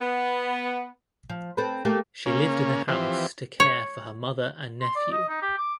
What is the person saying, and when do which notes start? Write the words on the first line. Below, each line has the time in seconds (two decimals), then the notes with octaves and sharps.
She lived in the house to care for her mother and nephew.
0.01 B3
1.29 F3
1.57 C4 A4 B4
1.85 A3 A#3 G4
2.26 C#3 A#3 C#4
2.88 E3 F3 C4 G4
3.60 C#5
4.81 C6
4.96 D5
5.12 D#5
5.29 D#4
5.42 G4
5.58 D6